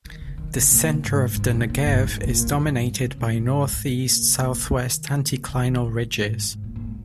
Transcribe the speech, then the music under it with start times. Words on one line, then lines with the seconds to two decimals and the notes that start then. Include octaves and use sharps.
The center of the Negev is dominated by northeast-southwest anticlinal ridges.
0.05 D#3
0.21 C#3
0.38 D#3
0.54 C#3
0.72 A#2
0.87 C#3
1.03 G#2
1.21 G#2
1.36 G#2
1.54 C#3
1.70 A#2
1.86 G#2
2.03 G#2
2.24 A#2
2.47 F#2
2.68 G#2
3.01 C#3
3.18 A#2
3.35 G#2
3.68 G#2
4.00 A#2
4.22 C#3
4.38 A#2
4.45 C#3
4.56 C#3
4.66 D#3
5.22 A#2
5.32 C#3
5.48 C#3
5.65 D#3
5.81 C#3
5.98 G#2
6.20 G#2
6.42 G#2
6.64 A#2
6.76 G#2